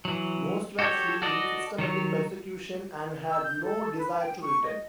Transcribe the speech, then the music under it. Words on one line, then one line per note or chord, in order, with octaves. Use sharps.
Most were fleeing systematic persecution and had no desire to return.
E3 F#3
F#4 G4 A4 C#5
F#4 A4 D5 D#5
D#3 F#3 C#5
E6
G6
A4
B4
G5
C#6
D#5